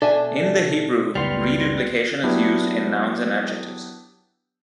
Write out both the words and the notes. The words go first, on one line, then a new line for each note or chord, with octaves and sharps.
In the Hebrew, reduplication is used in nouns and adjectives.
B2 D4 A4 E5 G#5
C#2 F#2 G3 B3 C6 F6
F#3 B3 D4 E4 G4